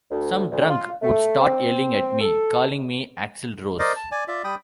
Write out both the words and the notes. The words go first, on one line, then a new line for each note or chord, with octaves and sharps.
Some drunk would start yelling at me, calling me Axl Rose.
D2
D2
F4
A3
C4
A4
A#4 C5 D5 D#5
A5
D5 G#5
F4 D5 E5
G3 G5 B5 D#6